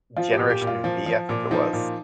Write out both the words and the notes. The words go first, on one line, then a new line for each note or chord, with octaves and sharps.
Generation V, I think it was?
F3 F4
G4
A#2
G4
A#2
F4
F3
F3
A#2
F3 D#4
A#2